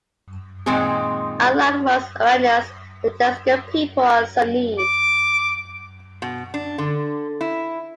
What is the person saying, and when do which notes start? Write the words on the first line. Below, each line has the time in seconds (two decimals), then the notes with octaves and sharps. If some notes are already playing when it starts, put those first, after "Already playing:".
Unlike most Iranians, the Dezgan people are Sunni.
0.66 A#2 D#3 G#3 C4 D#4 G#4
4.78 D6
6.22 B2
6.54 D4
6.78 D3
7.41 E4